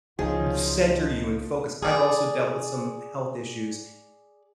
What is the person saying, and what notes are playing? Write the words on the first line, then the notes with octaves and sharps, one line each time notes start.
center you in focus. I've also dealt with some health issues.
F#1 C#2 F3 D#4 F4 G#4 C#5
G#4 D5